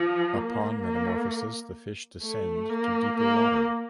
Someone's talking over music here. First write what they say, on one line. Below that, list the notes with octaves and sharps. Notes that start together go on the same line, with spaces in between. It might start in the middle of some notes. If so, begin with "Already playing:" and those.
Upon metamorphosis, the fish descend to deeper water.
Already playing: F3
A#3
A#3
A3
A#3
A#3